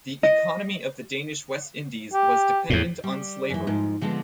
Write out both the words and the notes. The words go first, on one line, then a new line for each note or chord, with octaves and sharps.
The economy of the Danish West Indies was dependent on slavery.
D#5
G4
E2 A2
G3
F#2 E3
F2 G#2 F3
D3 F3 G#3 B3 C4